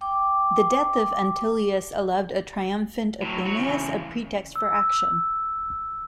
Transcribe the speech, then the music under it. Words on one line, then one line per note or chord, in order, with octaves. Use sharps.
The death of Antyllius allowed a triumphant Opimius a pretext for action.
G5 D6
A2 F#3
F#4 C#5
C#3 E3
E6